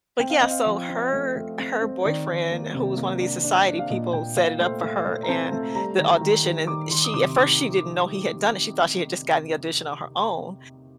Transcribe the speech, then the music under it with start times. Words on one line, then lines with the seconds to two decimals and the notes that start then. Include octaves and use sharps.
Like, yeah, so her her boyfriend who was one of these society people set it up for her and the audition, and she at first, she didn't know he had done it, she thought she had just gotten the audition on her own
0.20 C4 G5
0.30 F5
0.40 C4 D#5
0.51 F5
0.66 F3
0.89 C4
1.13 A3
1.36 A3
1.59 C4
1.82 C4
2.05 D#3 D5
2.28 D#3
2.51 A#3
2.74 C3
2.97 A#3
3.21 D4
3.44 D4
3.67 D4
3.79 F5
3.90 A#2 D#5
4.13 A#2 G5
4.36 A#2 F5
4.59 A3 C5
4.83 A3
5.06 A3
5.23 A#5
5.29 C4 A5
5.52 A3
5.75 G3 A#5
5.98 D#3
6.21 D#3
6.44 D#3
6.67 D#3 D6
6.91 D#3 C6
7.04 D#6
7.14 C3 D6
7.37 D#3 D6